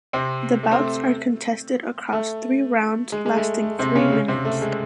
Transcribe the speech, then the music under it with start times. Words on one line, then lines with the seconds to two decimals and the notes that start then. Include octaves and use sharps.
The bouts are contested across three rounds lasting three minutes.
0.13 C3 C4
0.63 A3
0.71 C4
0.79 A3
2.13 A3
3.12 G#3
3.26 G#3
3.37 A3
3.63 A3
3.79 C3 C4
3.95 C#3 C#4
4.12 C#3 C#4
4.28 C3 C4
4.45 A3
4.62 G#3